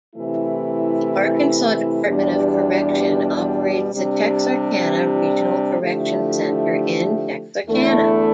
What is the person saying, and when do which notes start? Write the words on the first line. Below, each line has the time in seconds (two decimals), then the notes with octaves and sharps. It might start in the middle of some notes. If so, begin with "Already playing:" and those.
The Arkansas Department of Correction operates the Texarkana Regional Correction Center in Texarkana.
0.16 C3 E3 A3 E4
2.04 E2 B2 G3 D4 G4
3.92 C3 G3 D4
5.80 D3 F3 A3 E4 G4
7.67 E2 D3 A3 E4 A4